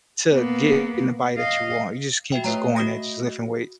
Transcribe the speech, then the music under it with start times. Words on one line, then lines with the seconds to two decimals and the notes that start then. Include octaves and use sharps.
to get in the body that you want. You just can't just go in there, just lifting weights.
0.32 A#3 B3
1.38 D#5 F5
2.32 F#4 E5 G5
2.44 A3 B4 C#5 D#5 A#5
2.76 F#4 D#6 A#6